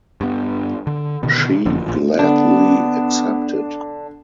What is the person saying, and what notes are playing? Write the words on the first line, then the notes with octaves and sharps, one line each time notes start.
She gladly accepted.
G2 B3
D3
B2 D3 D#3 B3
F#1 F2 D3 F3
A#1 A#2 F3
D3 B3 D4